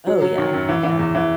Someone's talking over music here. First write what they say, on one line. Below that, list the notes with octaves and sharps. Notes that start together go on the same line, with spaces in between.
Oh, yeah. Yeah.
F#3
F#3
D#3
F#2
E3
E3
E2
E3